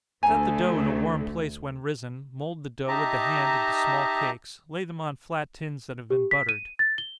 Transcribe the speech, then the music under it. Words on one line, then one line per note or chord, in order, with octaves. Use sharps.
Set the dough in a warm place when risen, mould the dough with the hand into small cakes, lay them on flat tins that have been buttered.
D2 A3 C5 G#5 A#5
D#4 G4 D#5 E5 A5 A#5
G4
B6
D#7
A6
G7